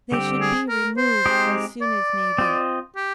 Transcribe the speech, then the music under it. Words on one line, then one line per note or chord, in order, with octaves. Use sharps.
They should be removed as soon as may be.
D3 G3 C4 G4
G#4
A#4
C5
G#3 C4 D#4 G4
D5
C4 F4 C5 D#5
G4